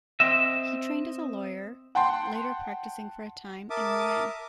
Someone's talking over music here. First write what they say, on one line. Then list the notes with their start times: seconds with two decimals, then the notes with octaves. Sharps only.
He trained as a lawyer, later practising for a time in Rouen.
0.20 C4 D#5 E5
1.95 F#5 G5 A5 C6
3.70 A#4 E5 A5 D6 D#6